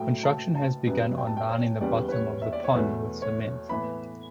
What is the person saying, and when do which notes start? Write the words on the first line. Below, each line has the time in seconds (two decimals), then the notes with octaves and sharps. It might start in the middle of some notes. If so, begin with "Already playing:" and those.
Construction has begun on lining the bottom of the pond with cement.
Already playing: A2 F#3 A3 G5
0.23 A5
0.55 A5
0.87 F#2 C#3 G3 B3
1.18 G5
1.27 A5
1.37 G5
1.50 C#5
1.81 E2 C#3 G3 B3 D5
2.08 B4
2.12 C#5
2.42 E5
2.53 D5
2.64 C#5
2.75 E2 B2 A3 B4
3.22 C#5
3.69 A2 E3 B3 B5